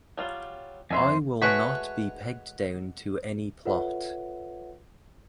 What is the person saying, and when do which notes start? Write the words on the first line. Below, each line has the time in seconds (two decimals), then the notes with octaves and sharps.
I will not be pegged down to any plot.
0.17 F#3 G3 F4
0.91 F2 E3 G#4 C5 E5 G#5
1.42 G#3 A3 F#4 B4 C#5 B5
3.65 F4 A4 B4 C#5 E5 F#5